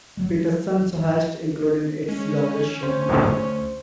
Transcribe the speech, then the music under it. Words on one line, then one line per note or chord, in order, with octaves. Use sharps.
Peterson's hoist, including its location.
F3 F#3 G#3
G#3 C#4
D2 C5